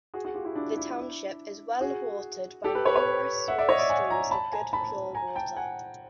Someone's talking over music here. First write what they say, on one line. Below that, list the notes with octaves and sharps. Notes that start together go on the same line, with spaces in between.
The Township is well watered by numerous Small Streams of good pure water.
F#4 G#4
F#4 G#4
F4 G4
E4 F#4
D4 E4
D4 E4
F#4 G#4
G4 A4
A4 B4
B4 C#5
B4 C#5
E5 F#5
D5 E5
C#5 D#5
D5 E5
F#5 G#5
G#5 A#5
A5 B5
G#5 A#5
A5 B5
G#5 A#5
G5 A5
F#5 G#5